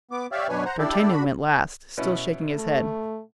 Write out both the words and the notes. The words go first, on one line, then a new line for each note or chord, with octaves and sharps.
D'Artagnan went last, still shaking his head.
B3 D6
G4 C#5 D5 E5 F5
F#2 B2 D4 B4 C#5 G#5
C5 F#5 A#5
D4 E4 G4 A4 D5
D4 F#4 B5
B2 C#4 E4
A3